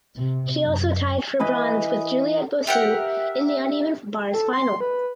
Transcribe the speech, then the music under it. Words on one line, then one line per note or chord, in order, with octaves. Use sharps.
She also tied for bronze with Juliette Bossu in the uneven bars final.
C3
F#2
E3 B4 D#5 B5
G4 A#4 E5 F#5
A4
C6
B4